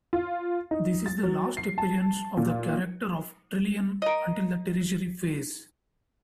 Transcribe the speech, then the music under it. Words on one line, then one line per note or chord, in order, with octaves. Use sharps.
This is the last appearance of the character of Trillian until the Tertiary Phase.
F4
D#4
A6
F#3
C7
A5
A#2
A#4 D#5